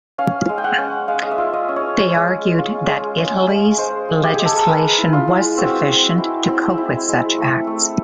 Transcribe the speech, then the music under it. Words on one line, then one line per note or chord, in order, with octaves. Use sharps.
They argued that Italy's legislation was sufficient to cope with such acts.
C#4 F5
G#3
G5
F#5
C#4
G#3 F5
D#5
E5
F4
D#5
C#4
C#5
G#3
G#3
F4
G#3
C#4
G#3
G#3 C5
G#3
G4
G#3 G#4
A4
A#4
G#3 B4
E4
F4
G#3
C4 F#4
C4
E4
C4
E4
G#3
A3
A3